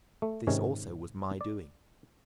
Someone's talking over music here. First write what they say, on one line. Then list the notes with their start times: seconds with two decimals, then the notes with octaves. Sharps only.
This also was my doing!
0.22 A3
0.47 G#2 C3 D#3 C#4 G#5
1.41 D5